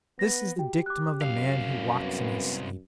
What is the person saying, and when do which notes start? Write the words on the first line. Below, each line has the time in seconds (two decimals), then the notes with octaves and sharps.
This is the dictum of the man who walks in his sleep.
0.19 B3 A#6
0.56 F#4 G4 G5
0.86 D6 F#6
1.21 C2 F#2 F5
2.01 B3